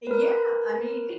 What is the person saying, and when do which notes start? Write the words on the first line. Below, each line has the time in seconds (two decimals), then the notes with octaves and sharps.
Eh yeah. I mean,
0.07 A#4 B4